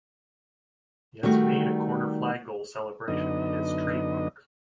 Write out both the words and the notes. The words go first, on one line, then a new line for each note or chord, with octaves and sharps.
He has made a corner flag goal celebration his "trademark".
D#3 G3 A3 F#4
F#2 D3 B3 D#4 D#5